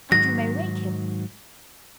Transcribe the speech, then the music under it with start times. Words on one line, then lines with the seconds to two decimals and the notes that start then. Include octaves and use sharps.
"Andrew may wake him."
0.12 G#2 D#3 F#3 A#6